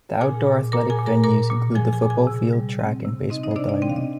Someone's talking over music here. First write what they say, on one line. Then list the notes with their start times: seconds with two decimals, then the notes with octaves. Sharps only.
The outdoor athletic venues include the football field, track, and baseball diamond.
0.21 A#2 G#4 G#5
0.47 A#2
0.72 A#2 A#4 A#5
0.90 G#4 G#5
0.98 A#2
1.06 A#4 A#5
1.24 A#2 A#4 A#5
1.50 A#2
1.75 F3 G#4 G#5
1.93 G#4 G#5
2.02 A#2
2.10 G#4 G#5
2.27 C3
2.53 G3
2.79 C4
3.05 C3
3.30 C4 D#4 D#5
3.44 D#4 D#5
3.51 C5
3.56 C3 D4 D5
3.69 D4 D5
3.82 C4 G5
3.90 F5
3.96 D#5